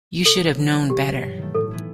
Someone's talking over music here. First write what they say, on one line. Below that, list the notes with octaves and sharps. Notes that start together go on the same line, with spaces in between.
You should have known better.
C3 A4
F#3 B3 E4
E3
G3 B3
B2 G4
F#3 B3
G2
D#3 A3
A2 A4
E3 B3 E4